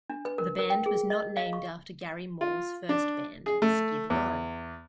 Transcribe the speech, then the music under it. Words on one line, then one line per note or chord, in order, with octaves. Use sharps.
The band was not named after Gary Moore's first band, Skid Row.
D4
B4
A#4
A#4
G5
G#4
D#5
F5
C#6
F4
D4
G#4
A3
E2